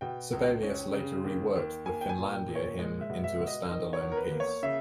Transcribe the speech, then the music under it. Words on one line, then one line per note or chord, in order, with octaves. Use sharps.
Sibelius later reworked the "Finlandia Hymn" into a stand-alone piece.
B2 G5
C#2
C#4
C#3
D#2
D#2
A#3 G#5
G5
G#5
A#2
G5
A#2
C#5
G#3 D#5
E5
B2
E5
B2
D#5
D#3 D#5
C#5
E2
A#4
B4
A#3
C#5
C#3 E5